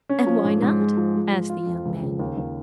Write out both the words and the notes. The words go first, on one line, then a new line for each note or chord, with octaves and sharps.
"And why not?" asked the young man.
C#4
F3
G#2
G#2
G#3
F3
G#3
F4
F4
F2
C#2
C#3
D#2
D#2